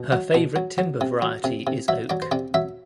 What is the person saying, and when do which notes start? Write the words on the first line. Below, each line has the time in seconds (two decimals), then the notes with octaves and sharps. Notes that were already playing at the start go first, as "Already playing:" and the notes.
Her favourite timber variety is oak.
Already playing: B2
0.12 F#3
0.34 B2
0.56 F#3
0.78 F#3
1.01 C3
1.22 F#3
1.44 C3
1.67 C3
1.88 F#3 E5
2.10 F#3 D5
2.22 C5
2.32 C3 D5
2.54 F#3 E5